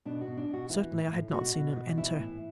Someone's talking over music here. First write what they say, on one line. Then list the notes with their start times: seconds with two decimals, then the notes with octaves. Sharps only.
Certainly, I had not seen him enter.
0.05 B2 D4
0.21 F#4
0.27 B2
0.37 D4
0.48 B2
0.54 F#4
0.69 E3 E4
0.91 A2
1.12 A2
1.33 B2 F#4
1.55 B2
1.76 B2
1.97 E3 E4
2.18 A2